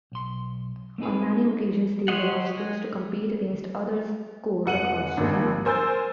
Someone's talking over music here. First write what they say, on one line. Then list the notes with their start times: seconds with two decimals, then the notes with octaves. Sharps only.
On many occasions, these allow students to compete against other schools across China.
0.12 B1 C6
0.98 A3 C4 D#4 G#4 B4
2.08 G4 C5 C#5 D#5 F#5
2.57 G#3
4.66 F1 F#5 D#7 F#7
5.17 G#1 D#2
5.65 A#4 C5 G#5 E6 G6 A6